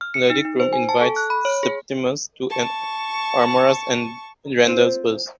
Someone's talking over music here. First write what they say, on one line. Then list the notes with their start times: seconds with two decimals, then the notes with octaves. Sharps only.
Lady Croom invites Septimus to an amorous rendezvous.
0.01 F6
0.14 C#7
0.30 D#4
0.45 D#4
0.60 C5
0.73 G#5
0.89 A5
1.01 A4
1.16 F#6
1.30 B5
1.45 C#5
1.63 G#4
2.50 A5 C#6
4.65 C4 F4